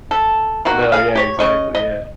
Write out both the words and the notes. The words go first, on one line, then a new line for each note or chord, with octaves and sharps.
No, yeah, exactly, yeah.
A4
D#3 A#3 F#4
G#4 F5
G4 C#5
C#3 D#5 C#6
D#5